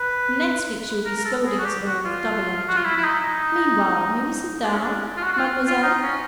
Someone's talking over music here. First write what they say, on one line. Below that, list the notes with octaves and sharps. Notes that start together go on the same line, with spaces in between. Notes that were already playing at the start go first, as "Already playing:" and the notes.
Next week she will be scolding us all with double energy. Meanwhile, may we sit down, mademoiselle?
Already playing: B4
A#4
A#4
A4
G#4
F#4
G4
F#4
F4
F#4
F4
E4
E4
D#4
D#4
D4
C#4
D4
F4
F#4
F#4
F4
F4
D#4
C#4